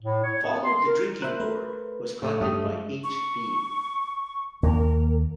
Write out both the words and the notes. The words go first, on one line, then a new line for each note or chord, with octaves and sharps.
"Follow the Drinking Gourd" was collected by H. B.
A2
C#5
B3
C6
A#4
A#4 C5 E5 F#6
A3 B4
A2 A3 C#5
G2 A3 G4 D#6
G#3
C#6
D#2 A#3 A#4